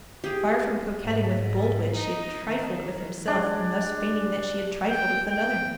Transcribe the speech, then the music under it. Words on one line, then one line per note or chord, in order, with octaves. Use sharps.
Far from coquetting with Boldwood, she had trifled with himself in thus feigning that she had trifled with another.
G4 G#4
G#2
D#4
D#3
G#3 D4
G5
G5